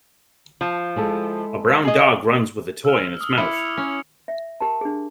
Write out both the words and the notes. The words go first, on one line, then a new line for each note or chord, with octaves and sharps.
A brown dog runs with a toy in its mouth.
F3
G#3 E4 A4
G#4 D#5
E6 F6
D#6 E6
E4 D6 C#7
C#7 F7
C#4
E5
G4 A#4 A5
D4 G#4